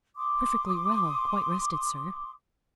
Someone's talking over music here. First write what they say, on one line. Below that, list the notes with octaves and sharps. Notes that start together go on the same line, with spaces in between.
"Perfectly well; quite rested, sir."
C6 D6 D#6